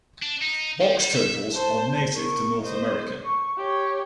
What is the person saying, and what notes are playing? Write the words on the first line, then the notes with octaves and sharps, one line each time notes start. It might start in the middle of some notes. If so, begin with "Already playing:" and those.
Box turtles are native to North America.
D4
D#4
F3
G3
E5
C5 A5
A#4 C#6
C5 D#5
C#6
G4 C#5